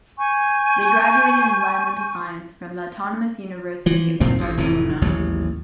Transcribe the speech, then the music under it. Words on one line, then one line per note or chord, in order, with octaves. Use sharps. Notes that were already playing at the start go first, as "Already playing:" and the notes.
They graduated in environmental science from the Autonomous University of Barcelona.
G#5 C#6 G6
E3 F3
F2 A#2 D#3 C4
A1 F2
F1 F2 A2 E3
A1 D#2 G#2 F#3